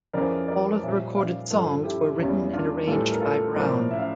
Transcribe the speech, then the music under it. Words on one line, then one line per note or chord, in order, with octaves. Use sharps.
All of the recorded songs were written and arranged by Brown.
F2 C#3 E3 A#4 D5
A#4 D5
A#2 G3 C#5 E5
D5 F5
G2 F3 F4 A4
E4 G4
E2 C#3 G3 C#4 E4
D4 F4
A2 E3 G3 F4 A4
A#4
F4 A4
A2 F3 A#4 D5
E5
F5